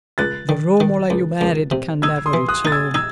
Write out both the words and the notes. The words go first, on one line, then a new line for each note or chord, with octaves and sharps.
The Romola you married can never return.
C#2 F#6 A6
D#3
D#3
C#2
C#2
C3
D#4 E6 G#6
C6 D#6
E3
D#6 F#6
D#4 A6
E6 G#6
D#4 E6 G#6